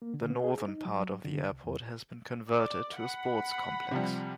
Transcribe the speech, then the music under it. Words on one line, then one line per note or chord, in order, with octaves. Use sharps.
The northern part of the airport has been converted to a sports complex.
A#3
D3
B3
G#4
D#4
F#3
D3
C2
E2
D5
F#5 B5
C3 F3 G3